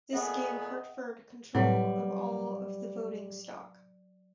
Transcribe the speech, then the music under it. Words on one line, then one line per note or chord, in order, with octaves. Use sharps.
This gave Hartford control of all of the voting stock.
A#2 A3 B3 G#4 D#5 E5 F#5 G5
A2 C3 F#3 G3 B4 C#5